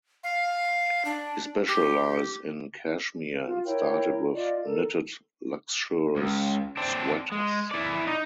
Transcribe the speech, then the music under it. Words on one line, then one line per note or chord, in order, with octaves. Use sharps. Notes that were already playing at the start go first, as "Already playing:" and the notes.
He specialise in cashmere and started with knitted luxurious sweaters.
F5
D4
G4
F4
E4 A#4 C#5 G5
F4 D5 D#5
A4 A#4
C#2
C4 D4
G#3
E4 D5
D#4